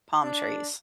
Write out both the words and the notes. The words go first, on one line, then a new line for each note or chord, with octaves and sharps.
palm trees.
D4